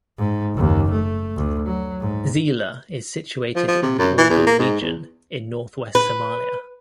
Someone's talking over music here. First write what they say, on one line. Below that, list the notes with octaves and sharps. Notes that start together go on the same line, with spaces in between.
Zeila is situated in the Awdal region in northwest Somalia.
G#2
F#1 D#2
A3
D2
F#3
G#2
F3
F3
C3
F#2
E3
E2
A#3
G#2
E2
B4